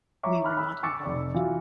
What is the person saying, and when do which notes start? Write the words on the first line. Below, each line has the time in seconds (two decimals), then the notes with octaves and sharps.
We were not involved.
0.23 C#5 E5 A#5 C#6 D6
0.44 B5 F6 F#6
0.57 B5 E6
0.83 C#6 D6 E6 A6 C#7
1.04 F1 D5 E6
1.34 E3 F4 F#4